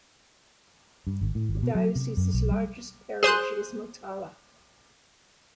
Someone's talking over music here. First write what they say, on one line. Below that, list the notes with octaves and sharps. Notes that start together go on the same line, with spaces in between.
The dioecese's largest parish is Motala.
G2
G#1
A2
G#1
B2
F#3
C3
F#2
B1
G3
G#4 C5 C6 F#6